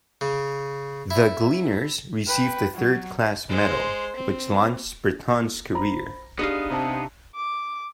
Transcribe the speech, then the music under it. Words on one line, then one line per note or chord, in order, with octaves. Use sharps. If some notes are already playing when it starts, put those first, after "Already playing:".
"The Gleaners" received a third class medal, which launched Breton's career.
C#3
E4
B4 G5
F#3
G#3 C5
C4
C5 A#5 B5
B3 D4 D#4 G4 G#4 F5
C3 A5 A#5
D6